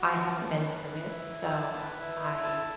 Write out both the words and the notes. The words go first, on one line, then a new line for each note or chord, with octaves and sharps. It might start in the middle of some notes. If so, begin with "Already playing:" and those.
I haven't been through it, so I
Already playing: F#4
A5
C#4
B4
B4
E4
E4
A5
B4
E4
E4
A5